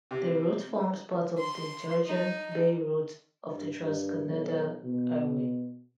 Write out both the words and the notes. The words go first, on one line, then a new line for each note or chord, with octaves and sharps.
The route forms part of the Georgian Bay Route of the Trans-Canada Highway.
C3
C6
D#4
G2
G2
B1
B2